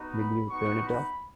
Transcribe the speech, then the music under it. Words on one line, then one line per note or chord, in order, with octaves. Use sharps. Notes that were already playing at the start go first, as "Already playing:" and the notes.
Will you turn it off?
Already playing: B3 D#4 F#4
B5
B3 D#4 F#4 C#6
B5